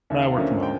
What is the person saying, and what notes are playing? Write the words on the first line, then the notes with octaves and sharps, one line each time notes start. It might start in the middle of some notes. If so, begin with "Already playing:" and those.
No, I work from home.
D#2 E5
F5
D3 F3 A#3 C#4 E5
G5